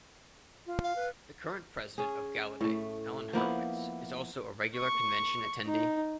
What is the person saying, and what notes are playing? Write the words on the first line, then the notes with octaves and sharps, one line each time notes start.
The current president of Gallaudet, Alan Hurwitz, is also a regular convention attendee.
F4
F5
B4
C#4 G#4
A2 A3
F3 A#3 B3 E4
C#6
D#4